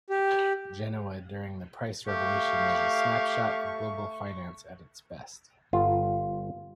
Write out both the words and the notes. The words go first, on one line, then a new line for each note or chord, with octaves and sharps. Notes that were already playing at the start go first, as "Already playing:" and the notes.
Genoa during the price revolution was a snapshot of global finance at its best.
G4
A3 G4 F5 C#6
G1 F4